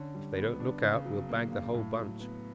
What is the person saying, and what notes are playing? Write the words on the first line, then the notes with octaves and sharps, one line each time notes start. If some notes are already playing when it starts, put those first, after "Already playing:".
If they don't look out we'll bag the whole bunch.
Already playing: D3 C#4
G3
B3
D4
C#3
F#3
A#3
C#3
A2
F#3
B3